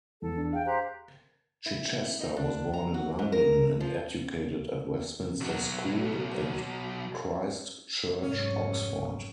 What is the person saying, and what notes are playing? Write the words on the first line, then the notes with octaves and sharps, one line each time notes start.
Chichester was born in London and educated at Westminster School and Christ Church, Oxford.
E2 A4
D4
G#4 F5 G5
G4 C5 A#5 F#6
E4
D#4
D4
A#5
F#4
G#2
A#4
F3
B1 F#3
F1 G#2 F#3 C#4